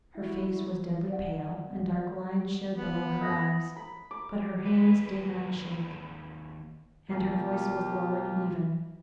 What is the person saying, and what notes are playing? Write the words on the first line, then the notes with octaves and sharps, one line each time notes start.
Her face was deadly pale, and dark lines showed below her eyes, but her hands did not shake, and her voice was low and even.
E4 F#4
D5 F#5
B3
D#6 A#6
B5
D6
D#2 B4
B2 A#3 F4 G4